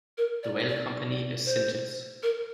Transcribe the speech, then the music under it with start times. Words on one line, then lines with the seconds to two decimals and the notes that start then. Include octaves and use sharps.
The rail company is Syntus.
0.18 A#4
0.43 D5
0.69 D5
1.46 C5
2.23 A#4